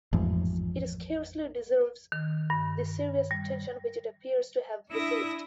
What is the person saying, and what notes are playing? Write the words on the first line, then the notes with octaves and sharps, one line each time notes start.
It scarcely deserves the serious attention which it appears to have received.
A1 F2 G#2 F3
D#3
G2
G3
D4 E4 E5 D#6 A#6